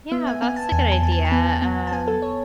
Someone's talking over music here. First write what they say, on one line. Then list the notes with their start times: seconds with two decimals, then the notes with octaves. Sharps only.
Yeah, that's a good idea. Um,
0.12 B3 E5
0.27 G#5
0.42 B3 G#5
0.56 A5
0.72 E2 G#5
0.92 A5
1.02 E2 G#5
1.12 A5
1.25 A5
1.32 B3 G#5
1.62 B3 G#5
1.87 A5
1.92 B3 G#5
2.08 A4
2.22 C#5